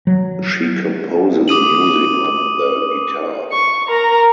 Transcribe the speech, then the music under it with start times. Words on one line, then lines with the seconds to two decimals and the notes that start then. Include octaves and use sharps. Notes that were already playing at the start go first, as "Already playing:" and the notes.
She composes music on the guitar.
0.07 F#3
1.48 D6 D#6 D#7 F#7
3.52 C#6
3.88 A#4 A#5